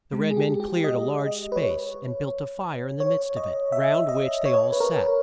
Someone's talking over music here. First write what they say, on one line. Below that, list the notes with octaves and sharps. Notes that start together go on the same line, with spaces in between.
The red-men cleared a large space, and built a fire in the midst of it, round which they all sat.
G#3
G#4
G4
G4
D#5
D#5
B4
C#5
C#5
D#5
E5
D#5
C#5
B4
A#4